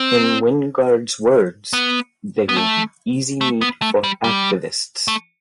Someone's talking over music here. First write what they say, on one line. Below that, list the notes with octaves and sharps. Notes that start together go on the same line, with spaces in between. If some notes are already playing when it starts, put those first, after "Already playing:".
In Wingard's words, They will be easy meat for activists.
Already playing: C4
B3
B3
A3
A3
B3
A3
G3
G3
A3